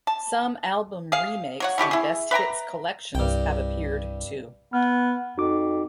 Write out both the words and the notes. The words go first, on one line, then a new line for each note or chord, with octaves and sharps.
Some album remakes and best-hits collections have appeared too.
A5
G#4 F5
F#3 C#5 F#5
B2 E3 G4 C#6
E4 G#4
B4 E5 G5 A#5
C2 G2 G5
B3 F6
F2 D#4 F#4 D6